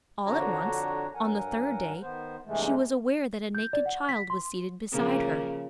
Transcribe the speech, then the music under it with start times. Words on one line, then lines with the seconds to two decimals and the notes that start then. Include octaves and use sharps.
All at once, on the third day, she was aware that a naked child was seated beside her.
0.26 F2 D3 D4 F#4 C#5 A#5
1.14 G2 F#3 A#4 F#5 G#5
2.02 D#3 B3 C5
2.46 E2 G2 C3 E3 G#3 A3
3.55 G6
3.73 D5
3.86 F#5
4.09 B6
4.30 C6
4.92 C#3 F3 A#3